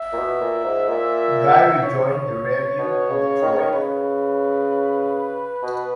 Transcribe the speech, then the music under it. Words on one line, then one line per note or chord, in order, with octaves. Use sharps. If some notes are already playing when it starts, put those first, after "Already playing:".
Guy rejoined the revue in Detroit.
Already playing: E5
A#2
B2
A#2
G#2
A#2
C#5
B2
C#3
D#3
C#3
D#3
C#3 B4
B2